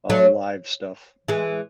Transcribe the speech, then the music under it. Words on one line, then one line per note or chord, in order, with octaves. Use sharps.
uh, live stuff.
F#3 A3
E3 G#3